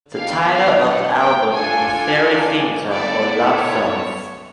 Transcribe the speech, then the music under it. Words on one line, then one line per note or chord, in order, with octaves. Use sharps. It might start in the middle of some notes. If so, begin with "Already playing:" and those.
The title of the album was "Seri Cinta" or Love Songs.
B3 D4 G4 F5
F5
F#5
G5
D4 F4 A4 G#5
B3 E4 A4 D5
C#5